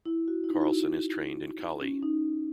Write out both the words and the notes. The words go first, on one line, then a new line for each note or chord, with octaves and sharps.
Carlson is trained in Kali.
E4
F#4
E4
D#4
F#4
E4
C#4
D#4